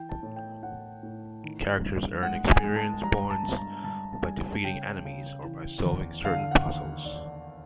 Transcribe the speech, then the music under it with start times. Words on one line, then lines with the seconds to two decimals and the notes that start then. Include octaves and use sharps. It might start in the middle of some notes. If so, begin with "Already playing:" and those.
Characters earn experience points by defeating enemies or by solving certain puzzles.
Already playing: E3 G5
0.09 A5
0.23 A2
0.36 G5
0.63 A2 F#5
1.03 A2
1.43 D#3
1.83 G2
2.23 G#3 F#5
2.50 G#5
2.64 G#3
2.76 A5
3.04 G3 A#5
3.31 A5
3.44 G2
3.57 A#5
3.84 G2 A5
4.13 A5
4.24 G3 G#5
4.64 C#3 G5
5.05 C#3
5.44 E3
5.85 E2
6.25 D3 F5
6.51 F#5
6.66 D#2
7.05 D#2 D5